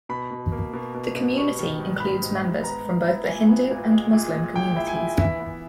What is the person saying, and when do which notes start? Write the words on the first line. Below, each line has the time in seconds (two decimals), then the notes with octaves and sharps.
The community includes members from both the Hindu and Muslim communities.
0.09 B2 B5
0.31 B2
0.52 A#3
0.73 B2
0.94 B2
1.15 B2
1.37 G3 C#6
1.59 D#3
1.80 G#2
2.00 G3 B5
2.22 G#2
2.44 G#2
2.64 B3 A#5
2.85 G#3
3.07 E4
3.27 A#2 G#5
3.48 B3
3.71 A#2
3.91 G#3
4.13 A#2
4.34 G#3
4.55 A#2 G5
4.76 E4
4.88 G#5
4.97 E4
5.19 E3 E5
5.40 B3